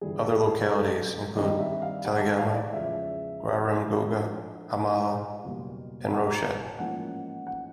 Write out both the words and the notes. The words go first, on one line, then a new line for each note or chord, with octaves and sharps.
Other localities include Teleghma, Grarem Gouga, Hamala and Rouached.
G1 G2 E3 G3 G#4
A4
G#4
A4
G2 D#3 G3 C4 D#4 D#5
E5
F5
F#5
A5
F5
D5
E2 C#3 F3 G#3 E5
A2 F3 A3 D4
F5
F#1 E2 B2 G3 A#3
F#5
A#5
A5
G#5
A1 G#2 F3 A#3 C#4 F#5
F#5